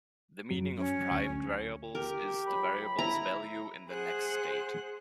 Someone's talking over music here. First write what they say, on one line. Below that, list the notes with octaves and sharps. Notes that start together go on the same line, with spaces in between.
The meaning of primed variables is "the variable's value in the next state".
F#2 F#3
C#4
D2
G4 A#4
C#2 F#3 B5
E4 A#5
G#4 C5 F#5 F#6